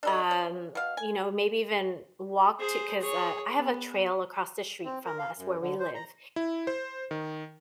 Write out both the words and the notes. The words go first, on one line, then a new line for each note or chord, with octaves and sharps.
um, you know, maybe even walk to 'cause, uh, I have a trail across the street from us where we live,
D4 A4 D#5
C#4
B2 F5
G#5
G#4 C5
G#4 C#5
B3
C4
A#4
F5
F#2
D3
C5
A#5
E4
C5
D#3